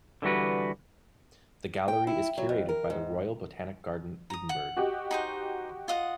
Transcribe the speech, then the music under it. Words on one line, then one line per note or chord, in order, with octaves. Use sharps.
The gallery is curated by the Royal Botanic Garden Edinburgh.
D3 E3 G3 F#4 B4
G5
E4
F#3
F2
A#4
G#2
A#5 D#6
F#5
F#4 G4 D#5
D#4 G#4 C5
F4 D#5 F#5